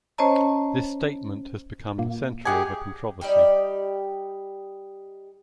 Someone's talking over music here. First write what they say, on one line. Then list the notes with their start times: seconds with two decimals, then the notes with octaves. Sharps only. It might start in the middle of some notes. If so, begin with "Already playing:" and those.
This statement has become the center of a controversy.
0.18 C#4 C5 C#5 D#5 A5 A#5
1.98 A#2 A#3
2.45 G4 G#4 D#5 F#5 G#5
3.21 G3 D#4 G4 D5